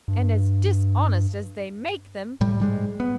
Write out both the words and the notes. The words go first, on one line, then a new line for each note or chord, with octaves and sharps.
'And as dishonest as they make them.'
G2
A2 G3
G#2 G3 G#3
B3